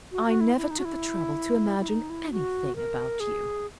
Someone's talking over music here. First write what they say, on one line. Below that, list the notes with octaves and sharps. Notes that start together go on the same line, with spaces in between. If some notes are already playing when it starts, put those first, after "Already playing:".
"I never took the trouble to imagine anything about you."
F#4
F#4
E4
E4
D#4
F#4
E4
E4
D#4
E4
F#4
A#4
G#4